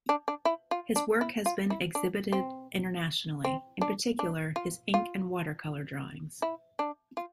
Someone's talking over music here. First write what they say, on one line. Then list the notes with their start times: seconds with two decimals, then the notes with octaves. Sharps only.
His work has been exhibited internationally, in particular his ink and watercolor drawings.
0.09 D4
0.28 D4
0.45 E4
0.71 F4
0.96 D4
1.21 E4
1.46 F4
1.70 E4
1.95 D4
2.32 C4
3.45 C4
3.81 D4
4.19 D4
4.56 F4
4.94 F4
6.42 E4
6.79 D4
7.17 F4